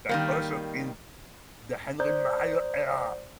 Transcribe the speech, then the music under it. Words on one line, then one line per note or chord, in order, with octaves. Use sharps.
That ushered in the Henry Meyer era.
D#3 G3 A#3
C5 D5 A#5 D#6 G6